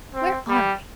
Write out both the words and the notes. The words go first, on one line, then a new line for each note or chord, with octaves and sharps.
Where are we?
C4
G3